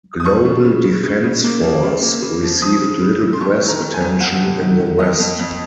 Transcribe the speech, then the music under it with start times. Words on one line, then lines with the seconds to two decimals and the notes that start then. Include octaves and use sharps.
"Global Defence Force" received little press attention in the West.
0.20 D#6
0.25 F3 C#6
0.45 C#3
0.64 C#3
0.84 C#3
1.04 C#3
1.24 C#3
1.44 A#3
1.64 F3
1.83 C#3
2.02 A#3
2.22 C#3
2.43 F3
2.62 F3 D#6
2.82 C#3
3.01 C#3
3.21 C#3
3.33 C6
3.41 F2 C#6
3.62 D#3
3.68 A#5
3.81 F2
3.94 G#5
4.01 F2
4.20 F2 F#5
4.40 C3
4.60 D#3
4.80 D#3
4.99 F2 D#5
5.20 F2
5.39 F2